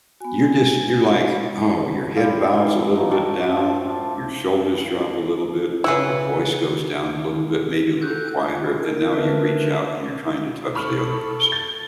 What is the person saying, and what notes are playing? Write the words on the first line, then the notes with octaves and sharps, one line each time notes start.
You're just you're like, "Oh" your head bows a little bit down, your shoulders drop a little bit, your voice goes down a little bit, maybe a little quieter, and now you reach out and you're trying to touch the other person.
B3 F#4 G#5
G3 E4 F4 F5
A2 D#3 E3
F#3 D4 D#4 F4
F#4 A4 D5 G5
F3 F4
A3
C#3 E4 G#4 B4 F#5
A4 F#6 G6
F4
A#4
D3 D4 A#4 B4 E5
A4 B5 C#6 F6
A6